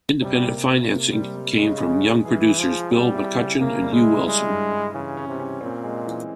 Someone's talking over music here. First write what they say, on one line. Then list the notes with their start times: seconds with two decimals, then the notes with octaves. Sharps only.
Independent financing came from young producers, Bill McCutchen and Hugh Wilson.
0.22 C3 G3
0.46 A#3
0.68 A#3
0.90 C3 A#3
1.12 G3
1.36 G3
1.57 C#3 G#3
1.79 G#3
2.02 G#3
2.25 E3 G#4
2.47 G#4
2.58 F3
2.70 G#4
2.92 G3 C4
3.14 E4
3.38 C#3
3.59 C#3 A#3
3.82 G3
3.93 G#3
4.04 E4
4.27 G3 G#3
4.49 G2
4.72 G2
4.94 C#3 E3
5.17 C#4
5.28 C3
5.39 C#4
5.61 A#2 C4
5.84 G#3
6.07 E3